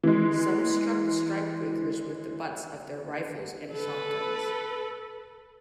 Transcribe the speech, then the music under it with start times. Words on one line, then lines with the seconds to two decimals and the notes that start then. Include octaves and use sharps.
Some struck the strikebreakers with the butts of their rifles and shotguns.
0.04 E3 G#3
3.72 A4 B4